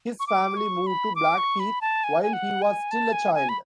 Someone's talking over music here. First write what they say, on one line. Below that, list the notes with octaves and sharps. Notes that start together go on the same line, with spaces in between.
His family moved to Blackheath while he was still a child.
C#6
D6
C#6
B5
D6
C#6
B5
A5
G#5
G#5
F#5
G#5
A5
G#5
G#5
B5